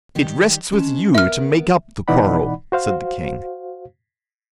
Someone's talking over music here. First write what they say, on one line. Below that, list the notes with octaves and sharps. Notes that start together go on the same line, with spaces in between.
"It rests with you to make up the quarrel," said the King.
D#3 G3 G4
G#3 C#4 A5
B3 A#4 E5 F6
B2 E3 D#4 D5 F#5 B5
F#4 C5 F5